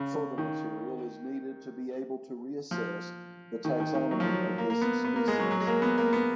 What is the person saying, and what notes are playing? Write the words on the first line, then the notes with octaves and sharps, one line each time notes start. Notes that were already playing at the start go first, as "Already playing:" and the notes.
Further material is needed to be able to reassess the taxonomy of this species.
Already playing: C#3
D#3
F3
D#3
D#3
D#3
F#3
F3
F#3
A#3
A#3
B3
B3
A#3
G#3
F#3
F#3
G#3
A#3
B3
A#3
B3